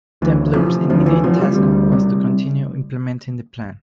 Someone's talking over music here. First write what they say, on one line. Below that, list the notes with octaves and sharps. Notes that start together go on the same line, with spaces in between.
Templer’s immediate task was to continue implementing the Plan.
D2 E3
C3 F3
D2 F3
E3
C3 F3
G3
D2
C3